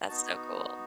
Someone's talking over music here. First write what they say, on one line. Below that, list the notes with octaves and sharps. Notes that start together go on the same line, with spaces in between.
That's so cool.
B3 D#4 F#4 A5